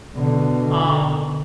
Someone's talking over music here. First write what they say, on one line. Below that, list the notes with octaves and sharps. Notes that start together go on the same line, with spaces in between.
U um,
B2 D3